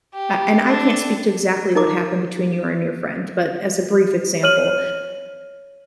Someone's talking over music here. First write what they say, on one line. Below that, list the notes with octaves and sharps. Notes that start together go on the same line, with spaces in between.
uh and I can't speak to exactly what happened between you and your friend, but, as a brief example,
G4
D4 A4
D#4 A#4 A#5 D6
C#5 F6 D#7 F#7